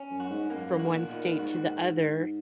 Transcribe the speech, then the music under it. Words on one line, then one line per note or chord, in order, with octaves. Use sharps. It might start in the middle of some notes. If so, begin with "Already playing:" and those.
from one state to the other,
Already playing: C#4
F#2
F#4
G#2
F#2 A#3
F#2
G#2 F#4
A#2
A#2 D#3
G#2 F#4